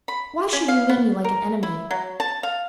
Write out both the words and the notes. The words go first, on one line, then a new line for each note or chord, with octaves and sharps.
Why should you meet me like an enemy?
B5
C#4
F5
B3
A#4
E4
F#3
A5
F5